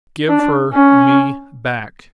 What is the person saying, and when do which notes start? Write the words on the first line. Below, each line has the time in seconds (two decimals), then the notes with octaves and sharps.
"Give her me back."
0.29 D4
0.73 C#4